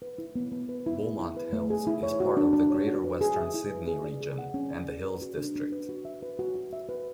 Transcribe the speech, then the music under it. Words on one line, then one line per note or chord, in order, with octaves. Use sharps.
Beaumont Hills is part of the Greater Western Sydney region and the Hills District.
B4
E4
B3
B3
B4
E4
G#4
E4
B4
A3
G#4
E4
C#5
F#4
D4
D4
C#5
F#4
B4
G#4
E5
E4
B4
G#4
D5
G#4
F#5
C#4
D5
G#4
B4
F#4
D4
D4
B4
F#4
E5
B4
F#4
F#4
E5
B4